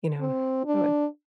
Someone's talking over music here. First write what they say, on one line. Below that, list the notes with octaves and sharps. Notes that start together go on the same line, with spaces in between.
You know, that would
C4
D4